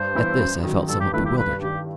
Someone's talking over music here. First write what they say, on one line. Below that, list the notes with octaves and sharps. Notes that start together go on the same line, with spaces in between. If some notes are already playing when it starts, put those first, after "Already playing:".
At this I felt somewhat bewildered.
Already playing: G2 C5
E3 B3 E4
F#2
D#3 F#3
G2 A4
G4
D#3 A3 E4 B4
G4
G2 B4
D#3 G3 G4